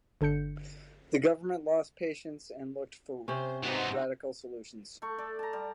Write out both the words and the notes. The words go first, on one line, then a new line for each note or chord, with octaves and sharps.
The government lost patience and looked for radical solutions.
G1 D3 D4 G6 C#7
C3 C#4 C5
G#2 B3 C4 D#4 F#4
A3 C#6
A4 D5
A5 A#5
G3